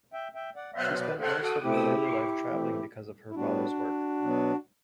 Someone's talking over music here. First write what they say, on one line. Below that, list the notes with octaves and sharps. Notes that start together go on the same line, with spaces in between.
She spent most of her early life travelling because of her father's work.
E5 G5
E5 G5
D5 F#5
B2 F#3 B3 C5 E5
C5
B4 D5
A4 C5
F#4 A4
B2 A3 C4 E4 G4
E3 A3 C4
E4
A2 G3 B3 D4 F#4
B2 F#3 B3